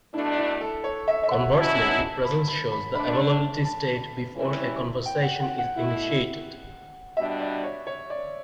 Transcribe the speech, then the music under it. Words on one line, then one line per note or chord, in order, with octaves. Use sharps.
Conversely, Presence shows the availability state before a conversation is initiated.
B2 A3 D4 E4
E4
A4
C#5
E5
E5
F#5
B2 F#3 C#4 E4 A5
A5
B5
B5
B5
D3 A3 D4 B5
A5
A5
E3 G3 C#4 E4
G5
F#5
F#5
F#5
B2 A3 E4
B2 G3 D4 E5
D5
C#5
C#5
D5